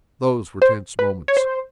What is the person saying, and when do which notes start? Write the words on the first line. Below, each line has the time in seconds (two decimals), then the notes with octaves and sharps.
Those were tense moments.
0.62 C5
0.99 B4
1.28 C#5
1.37 C5